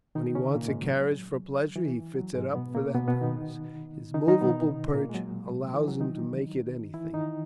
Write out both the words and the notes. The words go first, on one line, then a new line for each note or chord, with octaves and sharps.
When he wants a carriage for pleasure, he fits it up for that purpose; his moveable perch allows him to make it anything.
D#3 D#4
C#3 C#4
A#2 A#3
G#2 G#3
F#3
E3
F#3
G#2 G#3
B2 B3
A#2 A#3
B2 B3
B2 B3
D#3 D#4
D#3 D#4
D#3 D#4
B2 B3
A#2 A#3
G#3
F#3
E3
F#3
D#3 D#4
E3 E4
D#3 D#4